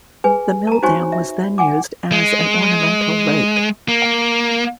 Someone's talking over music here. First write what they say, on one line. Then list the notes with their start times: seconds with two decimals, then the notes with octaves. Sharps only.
The mill dam was then used as an ornamental lake.
0.24 G#4 B4 G#5
0.67 A5 A#5
0.82 D#4 F#4 C5 C#5 G#5 C#6
1.12 E5
1.58 F#5 G#5 D6
2.12 G#3
3.88 A#3